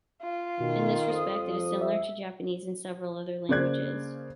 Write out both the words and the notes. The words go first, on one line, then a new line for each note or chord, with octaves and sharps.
In this respect it is similar to Japanese and several other languages.
F4
B2 D#3
F2 D#6
F3
E5
C#3 A#3 C5 D5 F#6 G#6